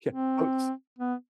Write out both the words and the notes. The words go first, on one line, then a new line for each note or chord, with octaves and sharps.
Yeah, boats
C4
B3